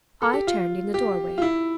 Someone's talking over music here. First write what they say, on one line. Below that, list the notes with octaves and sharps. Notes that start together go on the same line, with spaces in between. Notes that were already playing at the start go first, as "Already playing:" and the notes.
I turned in the doorway.
A4
G4
F4
G4
F4
E4